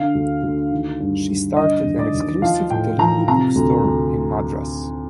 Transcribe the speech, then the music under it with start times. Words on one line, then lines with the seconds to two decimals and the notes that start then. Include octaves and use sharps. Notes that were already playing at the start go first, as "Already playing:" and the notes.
She started an exclusive Telugu bookstore in Madras.
Already playing: D3 F5
0.15 D2
0.43 D2
0.72 D#3
1.00 G2
1.28 G2
1.56 D3 D#5
1.85 D#2
1.99 D5
2.14 D#2
2.42 F3 F5
2.70 A2 G5
2.99 F3 A#5
3.28 C3 A#5
3.55 D2
3.84 D2